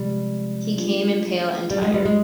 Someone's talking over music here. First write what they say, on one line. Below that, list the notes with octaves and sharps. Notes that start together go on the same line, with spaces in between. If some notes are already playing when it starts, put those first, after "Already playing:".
He came in pale and tired.
Already playing: C3 F3 G3 G#3
F#3 A3 D4 F4 G#4
G3
G#3
G3
G#3